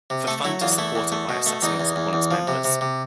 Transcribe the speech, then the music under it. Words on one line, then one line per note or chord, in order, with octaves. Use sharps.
The fund is supported by assessments upon its members.
C3
A3 A4
F#3 E4
E2 F4
A3 E4
E2
A3
B2
A3
E2 D#4
E2
E2
E2
F3
C3
C3
C3